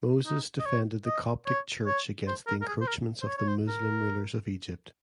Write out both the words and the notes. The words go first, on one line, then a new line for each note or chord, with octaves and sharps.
Moses defended the Coptic church against the encroachments of the Muslim rulers of Egypt.
D#4
D#5
C#5
D#5
C#5
C#5
C5
A#4
A#4
G#4
C5
A#4
C5
C#5
C#5
C5
A#4